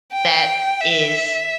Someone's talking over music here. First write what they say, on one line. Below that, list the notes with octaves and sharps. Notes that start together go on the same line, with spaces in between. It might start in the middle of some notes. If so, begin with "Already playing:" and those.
that is
G5
E5